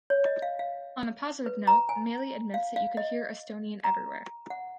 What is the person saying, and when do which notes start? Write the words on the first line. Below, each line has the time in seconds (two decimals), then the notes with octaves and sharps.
On a positive note Maily admits that you could hear Estonian everywhere.
0.10 C#5
0.26 D#5
0.42 F5
0.59 F5
1.46 B4
1.67 A#5
1.89 G#5
2.54 F5
2.76 F5
2.97 D#5
3.84 A#5
4.50 F#5